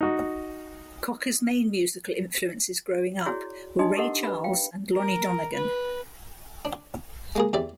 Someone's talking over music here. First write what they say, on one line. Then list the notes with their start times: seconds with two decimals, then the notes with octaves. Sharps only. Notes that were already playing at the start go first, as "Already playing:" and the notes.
Cocker's main musical influences growing up were Ray Charles and Lonnie Donegan.
0.01 D#4 F#4
3.26 E4 F#4 G#4 C#5 D5
3.79 D4 D#4 D#5 G#5 C6 D#6
3.95 E4 G4 A4 A#4 D#5 F#5
4.23 B4 B5
4.44 F5 G5
4.95 A#4
5.54 B4
6.65 D4
7.36 G#3 A#3 G#4
7.53 E2 G4 D5 E5